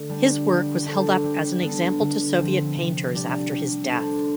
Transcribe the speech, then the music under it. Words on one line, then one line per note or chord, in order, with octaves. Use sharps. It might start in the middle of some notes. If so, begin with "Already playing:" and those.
His work was held up as an example to Soviet painters after his death.
Already playing: D3 A3 A4
G3 D4
G3
D4 A4 C5
G3
B3 D4 A4
D3
F3 C4
C3
G3 D4 G4 D5
G3
D4 A4 C5